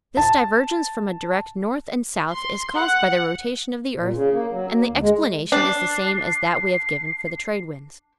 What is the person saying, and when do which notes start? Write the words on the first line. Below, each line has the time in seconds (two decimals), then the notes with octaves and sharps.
This divergence from a direct north and south is caused by the rotation of the earth and the explanation is the same as that we have given for the trade winds.
0.17 A5
2.31 C6
2.75 F#5
3.97 A#2
4.13 C#3
4.32 A#3
4.51 F#3
4.71 A#3
4.87 D2
5.01 G#3
5.52 D4 C7